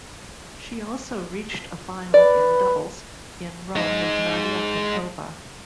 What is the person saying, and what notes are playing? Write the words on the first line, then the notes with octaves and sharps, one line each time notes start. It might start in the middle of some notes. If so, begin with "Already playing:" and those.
She also reached a final in doubles, in Rome with Nadia Petrova.
B4 D5
G#3 D#4